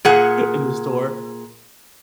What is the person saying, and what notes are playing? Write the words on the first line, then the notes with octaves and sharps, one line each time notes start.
in the store,
A#2 G#4 F#5